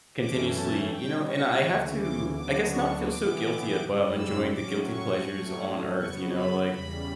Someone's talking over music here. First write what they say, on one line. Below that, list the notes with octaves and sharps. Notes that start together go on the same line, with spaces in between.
continuously, you know and I have to, I guess, not feel so guilty about enjoying the guilty pleasures on Earth, you know, like,
F#2 E3 A3 C#4 D6
A5
B2 G3 C#4 G5
C#6
D2 C#3 E3
D6
D2 C#3 F#3 B3 D4 D6
C#6
A2 E3 B3 D6
F#2 C#3 G3
E6
A2 F#3 C#4 D6
C#6
A2 F#3 A3 C#4
C#3 F#3 B3 C#6
B5
E2 C#3 G3 B5